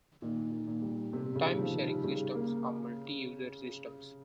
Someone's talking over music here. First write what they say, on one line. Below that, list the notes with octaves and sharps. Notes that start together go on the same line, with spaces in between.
Time-sharing systems are multi-user systems.
A#2 D#3
D#3
A#2
G3
C3 A#3
C#3
D#3
F3
D#3
G3
C#3 G3
A#3